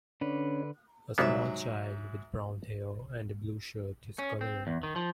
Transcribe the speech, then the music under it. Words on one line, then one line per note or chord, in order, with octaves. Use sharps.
A small child with brown hair and a blue shirt is coloring.
D3 C#4 D4 B4
C2 G#2 F#3 A#3 B3 E5
C#4
C4
E2
D#3
F3